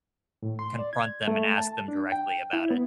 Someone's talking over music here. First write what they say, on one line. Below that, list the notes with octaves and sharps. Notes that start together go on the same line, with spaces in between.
confront them and ask them directly about it.
A2
C6
D5
G#6
A3
A5
D4
G5
E4
B3